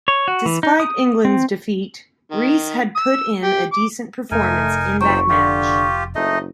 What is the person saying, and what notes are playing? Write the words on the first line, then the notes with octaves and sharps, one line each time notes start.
Despite England's defeat, Rees had put in a decent performance in that match.
C#5
F#4
E3
D#4
D#6
C4
D#3
E6
G4
D6
F1 A3 D#4 A#4 G#5
F#1 F#3 C5 G5 C#6
D3 F4 G4
F#1 A3 D#4 D#5